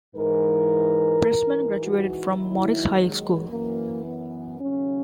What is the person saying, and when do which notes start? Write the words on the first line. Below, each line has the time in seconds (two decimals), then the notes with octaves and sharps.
Pressman graduated from Morris High School.
0.16 G#2 E3 A#4
1.27 G#2 E3
1.83 F#4
2.37 D#2 D#3 F#3 E4
2.94 G#3
3.49 F#2 E3 A#3
4.05 B3
4.60 D#2 C#3 F#3 C#4